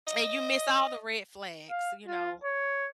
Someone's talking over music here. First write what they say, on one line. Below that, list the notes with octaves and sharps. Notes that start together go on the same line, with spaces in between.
and you miss all the red flags, you know?
D#5
F5
F4
C#5